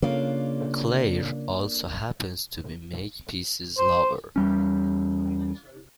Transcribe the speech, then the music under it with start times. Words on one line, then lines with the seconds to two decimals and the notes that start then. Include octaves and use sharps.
Claire also happens to be Makepeace's lover.
0.02 C#3 A#3 D4 F4
3.78 C5
4.36 E2 G3 C#4